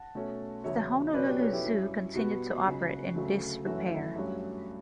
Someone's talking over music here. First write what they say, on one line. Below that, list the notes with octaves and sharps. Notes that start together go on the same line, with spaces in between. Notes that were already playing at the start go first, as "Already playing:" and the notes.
The Honolulu Zoo continued to operate in disrepair.
Already playing: F#5 A5
B2 A3 C#4
E2 C#3 F#3 C#5 E5
B2 F#3 C#4 B4 D5
G4 B4
A4 C#5
E4 G4
G2 F#3 C#4 E4
B2 G3 B3 F#4
C#2 C#3 F#3
D2 C#3 F#3 A3
F#2 E3 A3 C#4 F#4
E4
G2 F#3 A3 C#4 F#4